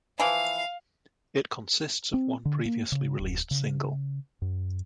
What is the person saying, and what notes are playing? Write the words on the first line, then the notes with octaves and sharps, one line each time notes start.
It consists of one previously released single.
E3 F3 F5
C4
D3
A#3
C#3
D1
C#3
F#2